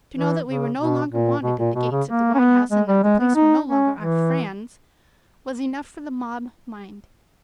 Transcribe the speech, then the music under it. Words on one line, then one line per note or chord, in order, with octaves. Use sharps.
To know that we were no longer wanted at the gates of the White House and that the police were no longer our "friends" was enough for the mob mind.
E3
C#3
B2
A#2
B2
A#2
B2
C#3
A#3
C#4
B3
G#3
G3
G#3
B3
D#4
C#4
E3